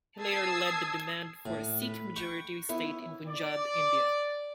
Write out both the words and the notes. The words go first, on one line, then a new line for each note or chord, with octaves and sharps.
He later led their demand for a Sikh-majority state in Punjab, India.
A5 D#6 E6 G#6 C7
A2
B4
F#5 G5 C#6
B3 E4 C#5
D5